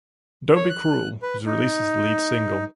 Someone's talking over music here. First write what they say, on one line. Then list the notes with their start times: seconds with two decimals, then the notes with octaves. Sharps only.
"Don't Be Cruel" was released as the lead single.
0.55 C#5
0.69 F#6
1.22 B4
1.46 D#4